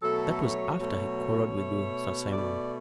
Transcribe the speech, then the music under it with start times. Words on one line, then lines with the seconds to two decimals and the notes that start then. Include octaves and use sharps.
That was after he quarrelled with you, Sir Simon.
0.03 B2 F#3 A3 A4
0.41 C#5
0.79 B2 F#3 A3
1.56 B2 A3
2.32 B2 A3 D5